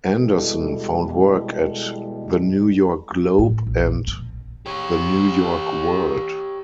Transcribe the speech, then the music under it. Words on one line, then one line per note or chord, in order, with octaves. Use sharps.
Anderson found work at "The New York Globe", and the "New York World".
B2 E3 G3 G#3 A4
A2
A#1
B2
G4 C#5